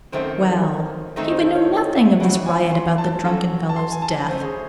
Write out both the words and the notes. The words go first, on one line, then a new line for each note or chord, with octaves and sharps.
'Well! he would know nothing of this riot about the drunken fellow's death.
F#2 D#3 F#3 A3 C4 C5
G#2 D#3 A3 C4 D#4 D#5
C5
A4
C#5
D#5
E5
C#3 E3 C4 F#4 F#5
G#5
C6
A5
F#3 C#4 F#4 A4
A5
C6
G#5
A5
F#3 A3 C#4 C5
G#4